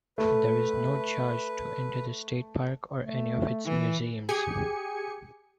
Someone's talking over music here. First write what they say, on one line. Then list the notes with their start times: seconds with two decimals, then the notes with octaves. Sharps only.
There is no charge to enter the state park or any of its museums.
0.18 A3 B4
2.99 A3
3.66 E3
4.29 G4 G#4 G#5 C#7